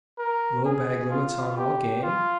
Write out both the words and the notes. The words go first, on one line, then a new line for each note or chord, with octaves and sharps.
Low bag limits on all game.
A#4
G#4
F4
G4
F4